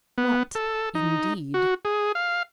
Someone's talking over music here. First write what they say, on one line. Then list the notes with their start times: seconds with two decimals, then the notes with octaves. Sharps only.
What indeed!
0.18 B3
0.55 A4
0.95 D#4
1.54 F#4
1.85 G#4
2.15 F5